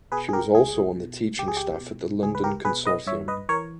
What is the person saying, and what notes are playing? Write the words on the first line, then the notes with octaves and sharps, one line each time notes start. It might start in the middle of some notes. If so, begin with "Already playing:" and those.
She was also on the teaching staff of the London Consortium.
B2 G#4 B4
G#4
G4 A#4
C#2 G#4
B2
C#2 G4
G#4
G4
B2
C#2 G#4
B4
G4 A#4
B2 G#4 B4
B4 D#5
G2 C#5 E5
B4 D#5
E3 A#4 C#5